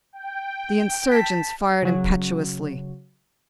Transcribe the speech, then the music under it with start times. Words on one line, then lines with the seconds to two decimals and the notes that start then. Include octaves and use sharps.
The insurgents fired impetuously.
0.13 G5
1.12 A5 B6
1.83 C#3 F#3